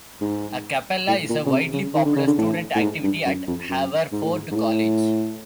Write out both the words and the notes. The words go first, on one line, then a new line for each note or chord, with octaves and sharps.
A cappella is a widely popular student activity at Haverford College.
G#2
A2
A#2
C#3
C3
C#3
D#3
D3
C#3
D3
A2
A2
G#2
G2
F#2
F2
F#2
G#2
A2
G#2
G#2
A2